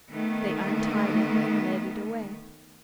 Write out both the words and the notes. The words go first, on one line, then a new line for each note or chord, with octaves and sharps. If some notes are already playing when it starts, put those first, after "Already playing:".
They untied it, and led it away.
D#3 A3 B3